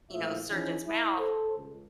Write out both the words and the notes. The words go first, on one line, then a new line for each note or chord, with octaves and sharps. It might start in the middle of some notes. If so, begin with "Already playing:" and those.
you know, surgeon's mouth
A#1 A2 F3 F4 E5
E3 F3 C#4 D#4 E4 G#4
E4
A4 C5
C#2